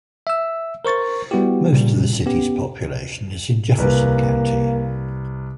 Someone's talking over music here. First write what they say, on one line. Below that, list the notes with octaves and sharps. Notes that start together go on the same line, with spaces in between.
Most of the city's population is in Jefferson County.
E5 E6
A#4 C5 C#6 A6
G3 B3 E4 F#4 G4
A#2 C#3 G3
B3 C#4 G4
C2 A#3 B4